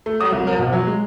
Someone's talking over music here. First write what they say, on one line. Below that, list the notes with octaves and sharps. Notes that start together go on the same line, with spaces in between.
I know.
A3
D#6
C2
A#4
B2
F#3
G#3